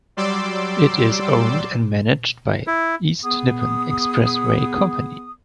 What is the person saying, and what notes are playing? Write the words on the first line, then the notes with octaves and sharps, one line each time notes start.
It is owned and managed by East Nippon Expressway Company.
F#3 G3 D5 C6 D6 E6
E4
B3 G#4 D#6